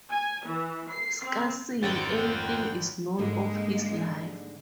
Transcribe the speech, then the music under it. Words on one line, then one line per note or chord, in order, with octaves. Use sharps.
Scarcely anything is known of his life.
G#5
E3
C7
C4
G#1 C4 C#4 F4 F#5 G5 A6
G#2 D3 G3 G#3 A#3